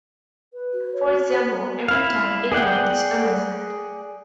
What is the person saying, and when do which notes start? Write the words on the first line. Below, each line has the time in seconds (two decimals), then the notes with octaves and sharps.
For example, every type inherits a method.
0.53 B4
0.73 F#4
0.93 C#5
1.88 E4 F5
2.52 G#4 D5 F#5 G5